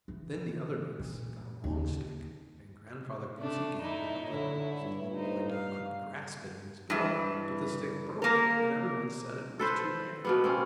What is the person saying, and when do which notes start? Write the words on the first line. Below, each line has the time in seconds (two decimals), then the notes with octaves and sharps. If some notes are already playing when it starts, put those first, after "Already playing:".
Then the other ducks got a long stick and Grandfather Goosey-Gander held it out, so the little boy duck could grasp it in his bill, but the stick broke, and every one said it was too bad!
0.08 E3
0.99 A#2
1.64 D#2
3.38 A3 D4
3.81 D#4 E4
4.30 D3 E4 C#5
4.81 G2
5.15 D#4 C5
5.50 F5
6.90 G2 E3
8.22 A#3 A#4
9.59 A4 B4 C5
10.25 B2 A#3 B3
10.44 A#3 C4 C#4